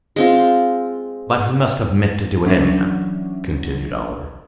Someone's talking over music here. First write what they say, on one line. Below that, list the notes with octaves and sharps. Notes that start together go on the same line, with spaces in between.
"But he must have meant to do it anyhow," continued Oliver.
G#3 C4 F4
E3 F#3 C#4 D4